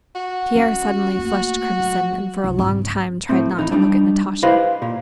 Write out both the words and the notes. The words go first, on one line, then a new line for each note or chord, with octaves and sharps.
Pierre suddenly flushed crimson and for a long time tried not to look at Natasha.
F#4
C#4
A3 A#3
F#3
C2
G#1 C#2
A2 C4
E3 D#4
G3 D4 D#4
E4 G4 B4 C5 D#5 F5
A#2